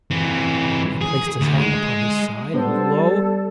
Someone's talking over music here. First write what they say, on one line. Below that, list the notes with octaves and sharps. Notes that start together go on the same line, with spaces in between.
He placed his hand upon his side, and, lo!
E3 C4
G#4
D2
G#3
G3 B3 D4 A4 C5